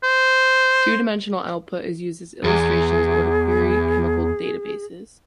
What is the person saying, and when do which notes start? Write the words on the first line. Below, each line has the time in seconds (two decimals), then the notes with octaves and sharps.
Two-dimensional output is used as illustrations or to query chemical databases.
0.04 C5
2.44 E2 G#4